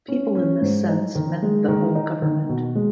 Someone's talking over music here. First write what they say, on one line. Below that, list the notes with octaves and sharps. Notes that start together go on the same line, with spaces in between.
People in this sense meant the whole government.
C#4
C#4
G#2
D#4
D#3
G#3
D#3
D#4
D#3
B2
G#3